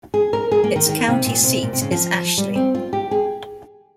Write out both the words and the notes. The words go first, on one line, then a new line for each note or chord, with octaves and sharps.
Its county seat is Ashley.
G#4
A#4
G#4
A#3
D#3
D#3
C3
A#2
C3
A#2
C3
C#3
F3
G3
C4
F4
G4
G#4